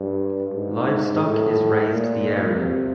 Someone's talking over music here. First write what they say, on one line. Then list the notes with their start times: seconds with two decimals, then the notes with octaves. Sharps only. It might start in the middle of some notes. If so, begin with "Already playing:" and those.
Livestock is raised the area.
Already playing: G2
0.54 G#2
1.20 A2
1.86 A#2
2.52 C3